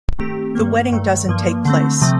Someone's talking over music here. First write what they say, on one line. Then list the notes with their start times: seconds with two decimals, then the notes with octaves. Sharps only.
The wedding doesn't take place.
0.19 D#3 A3 C4 G4
0.55 G2 D#3 A#3
0.92 G2 D#3 A3
1.29 G2 F3 A#3
1.65 D3 A3 C4
2.02 C3 F3 A3 C4